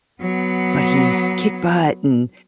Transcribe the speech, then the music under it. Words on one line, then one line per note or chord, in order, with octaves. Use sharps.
but he's kick butt and,
F#3 B3